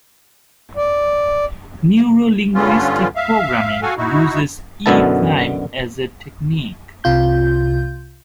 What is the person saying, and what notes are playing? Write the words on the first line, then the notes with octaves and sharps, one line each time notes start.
Neuro-linguistic programming uses E-Prime as a technique.
D5
G2 D3 B3 C#4 F4
E5 F5
F#4 A4 F5 F#5 G#5
D#4 E4 F#4
F#2 B2 D3 B3 E4 A5
C2 C3 F4 G6